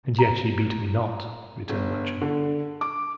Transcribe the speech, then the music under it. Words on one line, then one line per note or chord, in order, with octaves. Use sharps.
"And yet ye beat me not," returned Matcham.
A#5
G1
D3
D6